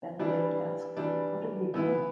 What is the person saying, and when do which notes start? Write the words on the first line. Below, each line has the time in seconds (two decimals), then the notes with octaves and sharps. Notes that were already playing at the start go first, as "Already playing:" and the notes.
Benedict asked, What have you done?
0.19 E3 G3 D4
0.97 E3 G3 D4
1.74 E3 B3 E4 B4